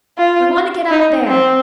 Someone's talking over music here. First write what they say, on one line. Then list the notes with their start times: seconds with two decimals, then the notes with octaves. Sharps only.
We want to get out there.
0.18 F4
0.91 D#4
1.27 C4